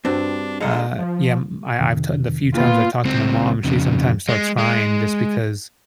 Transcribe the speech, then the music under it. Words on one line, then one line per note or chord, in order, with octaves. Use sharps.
uh yeah, m I I've t the few times I've talked to my mom, she sometimes starts crying just because
G2 C4 D4 F#4
D3 G#3 D#4 F4 F5 F#5
F3
F2 C3 D#3
A#2 B3 F4
C#2 C4
F2 C#3
G#3
G#3